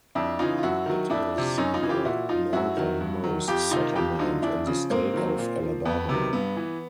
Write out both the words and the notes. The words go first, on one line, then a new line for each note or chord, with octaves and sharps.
It is the northernmost settlement in the state of Alabama.
F2 D4 E4
C#3 E3 D#4 F4
F4
F#2 E4 F#4
D#3 F#3
F2 D4 E4
C3 F3
F#2 C#4 D#4
D#4 F4
C#3 E3
F4 G4
A#2 E4 F#4
F3 D#4 F4
F#2 E4 F#4
D#3 F#3
G2
D#3 F#3
F2 F4 G4
C3 D#3 D#4 F4
F2 F4 G4
D3 F#3 D#4 F4
E2 D4 E4
C#3 F3
G#2 A#3 C4
D#3 F#3
A#2
F3
F2 B3
C3 D#3 F#3
G2 B3
E3